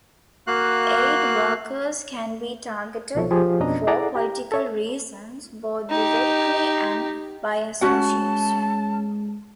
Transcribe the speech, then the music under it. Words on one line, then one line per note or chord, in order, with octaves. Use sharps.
Aid workers can be targeted for political reasons both directly and by association.
A#3 F#4 F5 F#6
C2 B2 F3 A4 C#5
F3 G4 G#4
F2 B2 C#4 D4 D#5 A#5
E4 G#4 A4 D5 F#5 A#5
G4 A#5
A4 C#5 E5
D#4 G4
G#3 C#4 F#4 F#5 A5